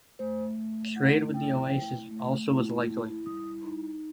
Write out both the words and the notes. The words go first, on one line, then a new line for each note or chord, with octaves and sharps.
Trade with the oases also was likely.
A3 C5
A3
E4 F#5
E4 G5
A3
A3
E4
E4
G3 D#6
D#4